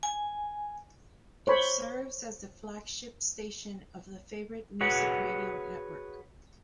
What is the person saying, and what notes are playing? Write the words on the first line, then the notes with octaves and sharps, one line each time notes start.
It serves as the flagship station of the Favorite Music Radio network.
G#5
C5 C#5 B5
F#4 G#4 B4 C#5 F#5